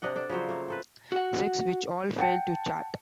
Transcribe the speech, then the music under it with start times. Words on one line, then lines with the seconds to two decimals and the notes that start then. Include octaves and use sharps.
Sex, which all failed to chart.
0.02 C3 D4 D#5 F#5
0.16 D4 A4
0.30 C#3 F3 F#3 C5
0.49 A3 A#3
0.68 C4 A4 B4
1.12 F#4 F#5
2.19 F#5 G5 A5 C#7